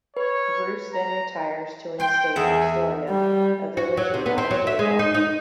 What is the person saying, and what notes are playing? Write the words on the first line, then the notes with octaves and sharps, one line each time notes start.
Bruce then retires to an estate in Astoria, a village in modern-day Oregon.
B4 C#5
A#5
G5 C6
E2 G#4 E5 F#5
G3
F#4
F#3
C3
B3
C4
F#3
E5
G#3
D#4
D#4